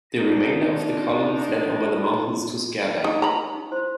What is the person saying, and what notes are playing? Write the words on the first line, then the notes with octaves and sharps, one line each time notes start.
The remainder of the column fled over the mountains to Skerdagh.
D4 D#4
D#4
D#4 A#5 B5
D#4
E4 C5 C6